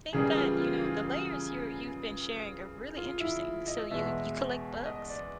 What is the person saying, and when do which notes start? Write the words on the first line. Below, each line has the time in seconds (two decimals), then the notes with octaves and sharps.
Think that, you know, the layers you're you've been sharing are really interesting, so you you collect bugs?
0.13 F#2 C#3 E3 G3 G#4
0.37 F4
0.60 F4
0.84 F4
2.97 F4
3.20 E4
3.67 D#5
3.91 E2 B2 G#3 E5
4.86 D#5
5.09 D5